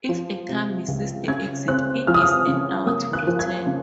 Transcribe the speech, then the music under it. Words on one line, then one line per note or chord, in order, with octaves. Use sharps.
If a car misses the exit, it is an hour to return.
F3
C3
C#2
C#3 G#6
C4 F#6
F3 F6
D#6
F6
C#3
A#3 D#6
F#6
F3
G#6
C#3